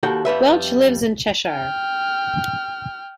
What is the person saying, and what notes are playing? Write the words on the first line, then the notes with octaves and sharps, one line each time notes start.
Welch lives in Cheshire.
D#2 F#4 A4 G5
F2 G3 B4 E5
G5 F6